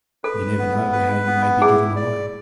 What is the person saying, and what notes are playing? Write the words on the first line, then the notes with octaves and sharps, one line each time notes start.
You never know how you may be given away.
A4 B4
B3
B4
B3
E4 G#4
D5